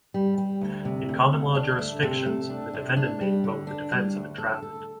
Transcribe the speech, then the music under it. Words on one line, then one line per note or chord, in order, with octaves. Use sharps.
In common law jurisdictions, the defendant may invoke the defense of entrapment.
G3
G3
D2
C3
D2
D2
D4
A3
C3
A3
D4
C3
D4
G3
D3
D4
G3
D2
A4
A4